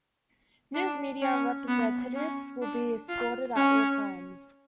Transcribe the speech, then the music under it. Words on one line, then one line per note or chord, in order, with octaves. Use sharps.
News media representatives will be escorted at all times.
D4
C#4
B3
C#4
D4
F4
C#4